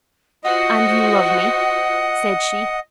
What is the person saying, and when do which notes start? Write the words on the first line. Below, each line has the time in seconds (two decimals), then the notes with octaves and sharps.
"And you love me?" said she.
0.44 F4 F#4 C5 D#5 F#5